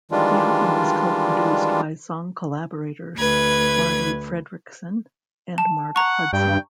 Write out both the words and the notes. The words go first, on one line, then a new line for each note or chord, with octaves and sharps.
The album was co-produced by song collaborators Marti Frederiksen and Mark Hudson.
D#3 E3 G3 G#3 D4 F4
D2 B4 G#6
A5
F#5 A#5 C#6
G2 G5